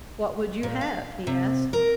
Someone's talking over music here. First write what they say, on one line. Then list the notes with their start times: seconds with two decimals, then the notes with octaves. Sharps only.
"What would you have?" he asked.
0.63 A#2
0.81 F5
1.27 C3
1.73 A#4